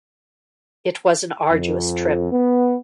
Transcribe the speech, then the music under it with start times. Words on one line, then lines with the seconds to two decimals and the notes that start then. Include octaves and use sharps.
It was an arduous trip.
1.49 F2
2.31 B3